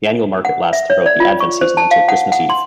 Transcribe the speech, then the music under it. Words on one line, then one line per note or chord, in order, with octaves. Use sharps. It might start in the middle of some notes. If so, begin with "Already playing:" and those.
The annual market lasts throughout the Advent season until Christmas Eve.
F#5
E5
C#5
D5
F4
C#6
C5
A5
F5
F#5
F#5
C6